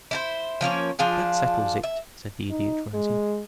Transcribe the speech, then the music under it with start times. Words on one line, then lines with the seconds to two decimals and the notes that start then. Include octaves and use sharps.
"That settles it," said the Idiot, rising.
0.11 E4 F4 C5
0.61 F3 A#3 C#4 C#5
0.99 F3 D4 F4 G#4
1.83 E5
2.50 D#4
2.94 G#3